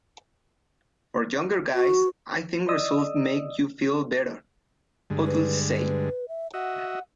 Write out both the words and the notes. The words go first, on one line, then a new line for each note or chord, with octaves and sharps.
"For younger guys, I think results make you feel better," Utley said.
F#4
D5 D#5 D#6 E6
G2 D3 G#3
B4
B4
E5
F#4 D#5 E5 F#5